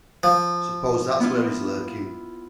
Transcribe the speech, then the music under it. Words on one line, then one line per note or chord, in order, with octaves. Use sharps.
Suppose that's where he's lurking?
F3
B3 E4 F4